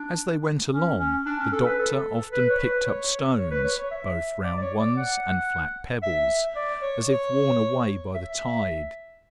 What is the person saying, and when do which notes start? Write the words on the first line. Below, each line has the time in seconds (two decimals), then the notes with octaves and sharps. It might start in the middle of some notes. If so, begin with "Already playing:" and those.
As they went along, the Doctor often picked up stones, both round ones and flat pebbles, as if worn away by the tide.
Already playing: D4
0.73 C#4
1.00 C#4
1.26 D4
1.40 C#4
1.53 A4
1.66 B4
1.79 A4
2.32 B4
2.50 C#5
2.59 B4
2.85 C#5
3.38 C#5
3.51 B4
3.65 C#5
3.78 C#5
3.91 E5
4.44 D5
4.58 D5
4.62 C#5
4.79 D5
4.97 F#5
6.03 E5
6.56 D5
6.82 C#5
7.09 C#5
8.15 E5